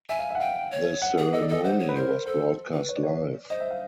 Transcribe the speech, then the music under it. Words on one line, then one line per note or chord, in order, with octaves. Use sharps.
The ceremony was broadcast live.
E5 G#5
F5
E5
F#5
F5 G5
C#5
F#5
G#4
A4 D#5
D5
A4 D#5
C5 F#5
C#5
B4
A#4 C5
A4 C5
B4
C#5
D5
C#5
C5 D#5
E5
F5